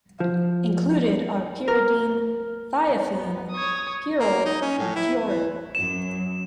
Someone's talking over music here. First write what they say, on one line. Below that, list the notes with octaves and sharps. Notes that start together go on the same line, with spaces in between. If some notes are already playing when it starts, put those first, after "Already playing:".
Included are pyridine, thiophene, pyrrole, and furan.
F3
A#4
B3
C#5 D#6
A#3
D#4
C#4
A2
E4
E3
F#2 F#3 E7